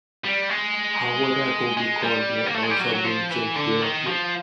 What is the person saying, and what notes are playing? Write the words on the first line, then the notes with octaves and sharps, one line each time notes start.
However, Ruby code may also build Gems directly.
G3
G#3
G#3
G3
A#3
A3
G#3
G3
F#3
F#3
F3
E3
D3
D#3
F3